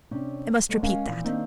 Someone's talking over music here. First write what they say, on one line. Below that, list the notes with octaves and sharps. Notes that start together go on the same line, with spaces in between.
"I must repeat that."
C3 C#4 D4
D2 G#3 A3
G#3 C#4 A#4 F5
A#2 E3 F3
D#3 A#3 C4 D4 D#4